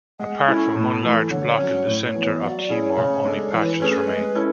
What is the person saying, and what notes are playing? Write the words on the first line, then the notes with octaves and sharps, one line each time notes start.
Apart from one large block in the centre of Timor only patches remain.
G#3 F#5
G#5
C#4 E4 A4
C#6
A2 A5
B5
A5
E3 A3
D3 C#5
F#3 C#4
A2
E3 B3
F#3 D5 F#5
C#4 E4 G#4 C#5 D5
C#3
G#3 D4 A4
E3 C#5
B4
A3 C#4 G#4 B4
G#3
C#4 E4 A4